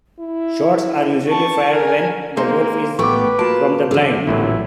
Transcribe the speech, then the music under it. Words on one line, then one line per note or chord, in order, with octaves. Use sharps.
Shots are usually fired when the wolf is from the blind.
E4
A5 C#6
A#4 G#5
G#3 A#3 D#4 C5
A1 A3 B3 B4 G5 C#6 D6
A#3 F4 F#4 A5 D7
E2 D3
A1 A#2 F#3 E4